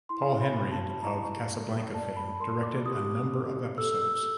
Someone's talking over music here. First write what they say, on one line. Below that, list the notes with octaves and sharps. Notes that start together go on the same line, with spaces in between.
Paul Henreid, of "Casablanca" fame, directed a number of episodes.
E4 C6
B5
C#5
A5
E4 A#5
C#5
D5 A5
B5
A#4 C6
D6
G4 D#6
G4
A4 E6
E6